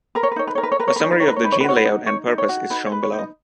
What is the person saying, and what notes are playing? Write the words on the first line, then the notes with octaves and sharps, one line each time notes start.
A summary of the gene layout and purpose is shown below.
A#4 B4
C#5
B4
D#4 C#5
B4
A#4 C#5
B4
C#5
A#4 B4
C#5
B4
D#4 C#5
B4
A#4 C#5
B4
C#5
D#4 B4
C#5
B4
F#4 C#5
B4
D#4
D#4 C#5
D#4
C#5
F#4
D#4 B4
C#5
B4
C#5
D#4
D#5